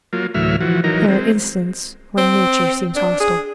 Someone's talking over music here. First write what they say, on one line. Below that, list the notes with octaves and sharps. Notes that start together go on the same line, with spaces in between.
There are instants when nature seems hostile.
F#3 A#3 F4
D2 A2 E3 F#3 E5 F6
E3 F3 F#4
E3 F#3 D#4 A#4
G#3 C4
C4
D4
G#4